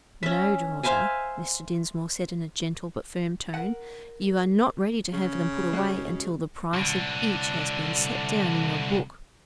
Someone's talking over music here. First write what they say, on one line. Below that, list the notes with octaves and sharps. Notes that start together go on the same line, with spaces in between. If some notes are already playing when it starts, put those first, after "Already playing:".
"No, daughter," Mr. Dinsmore said in a gentle but firm tone; "you are not ready to have them put away until the price of each has been set down in your book."
C#4 E5
C5 E5 F5 G#5
A#4 F#5
C#3
G#3 F#4 G4
C2 D3